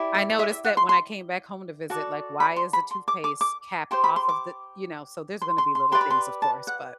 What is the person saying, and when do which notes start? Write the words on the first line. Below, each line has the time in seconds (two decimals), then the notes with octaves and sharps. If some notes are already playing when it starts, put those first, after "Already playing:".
I noticed that when I came back home to visit, like, why is the toothpaste cap off of the you know, so there's gonna be little things, of course, but
Already playing: E4 G4 D5
0.14 E5
0.39 E5
0.52 E5
0.65 F#5
0.77 C6
0.89 C6
1.90 F#4 A4 D5
2.40 B5
2.56 C6
2.73 B5
2.91 C6
3.08 D6
3.24 D6
3.41 D6
3.91 G4 C5 C6
4.04 B5
4.16 C6
4.29 D6
5.42 C6
5.58 C6
5.75 C6
5.92 G4 B4 D5 C6
6.01 B5
6.10 C6
6.42 A5
6.67 F#5